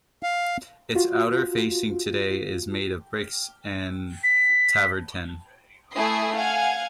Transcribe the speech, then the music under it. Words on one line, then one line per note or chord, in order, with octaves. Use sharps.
Its outer facing today is made of bricks and travertine.
F5
F4 F#4
B6
A3 E4 G#5 D#6 C7
F5 F#5 G#5